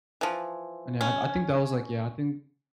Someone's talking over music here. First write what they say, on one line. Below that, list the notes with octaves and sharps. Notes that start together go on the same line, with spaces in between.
And, yeah, I I think that was, like, yeah I think
E3 F3
C#4